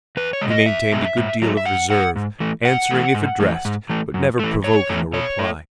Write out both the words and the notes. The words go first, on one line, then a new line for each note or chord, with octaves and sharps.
He maintained a good deal of reserve, answering if addressed, but never provoking a reply.
E2 B4
C#5
B2 G#3
D#5
E2 E5
B2 G#3
G#2
F#3 A3
E5
G#2 F#5
F#3 A3 F#5
G#2
E3 A3
G#2 F#5
E3 A3
G#2
E3 A3
G#2
E3 A3
F#2
E3 A3
F#2 C#5
E3 A3
B2 C#5
A3